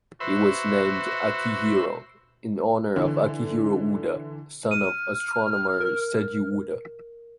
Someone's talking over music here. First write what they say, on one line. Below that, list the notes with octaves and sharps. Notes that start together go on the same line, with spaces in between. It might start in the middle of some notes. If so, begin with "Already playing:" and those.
He was named Akihiro in honor of Akihiro Ueda, son of astronomer Seiji Ueda.
F#4 B4 C5 E5
D3 E3
F6 D#7
A#4